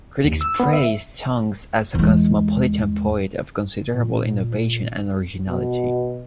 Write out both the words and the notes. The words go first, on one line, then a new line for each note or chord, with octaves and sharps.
Critics praised Tonks as a cosmopolitan poet of considerable innovation and originality.
D#2
E6
B3
E5
E2 G#3
A#2
B2